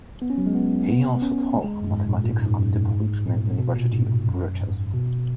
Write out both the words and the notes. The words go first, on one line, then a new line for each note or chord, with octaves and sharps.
He also taught mathematics at the Polytechnic University of Bucharest.
B3
C#4
F#3
G#3
B3
B3
C#4
G#3
F#2
G#2
A#2
A#2
G#2
F#2
G#2
F#2
G#2
G#2
A#2
B2
A#2
G#2
F#2
G#2
B2